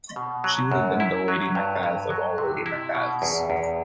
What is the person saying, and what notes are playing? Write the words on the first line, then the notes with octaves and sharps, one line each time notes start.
She would have been the Lady Macbeth of all Lady Macbeths.
B2
F#3
F#2
E4
F#3
G2
G2
F#3
C3
E4
B2
E2
E2